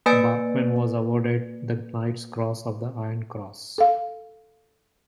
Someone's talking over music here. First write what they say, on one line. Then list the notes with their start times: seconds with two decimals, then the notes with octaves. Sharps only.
Barkmann was awarded the Knight's Cross of the Iron Cross.
0.06 A#3 B4 D5 G#5 A6 D7
3.78 A4 F5